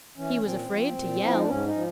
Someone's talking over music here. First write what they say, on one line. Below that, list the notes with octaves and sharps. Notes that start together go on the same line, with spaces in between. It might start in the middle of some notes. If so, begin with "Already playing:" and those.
He was afraid to yell!
E3 C#4
A#2 C4
F3
A#2
F3 E4
D#4
D4
G#2 C#4
D#4
F3